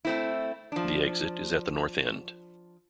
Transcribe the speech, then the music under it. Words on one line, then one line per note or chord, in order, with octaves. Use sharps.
The exit is at the north end.
A3 C4 E4
F3 D4